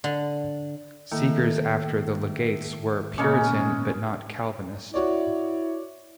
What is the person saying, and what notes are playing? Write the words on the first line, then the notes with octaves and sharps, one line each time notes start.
Seekers after the Legates were Puritan but not Calvinist.
D3
A2 D#3 A#3
A#2 C#3 G#3 A#3 B3 C#4
E4 F#4 C#5 D5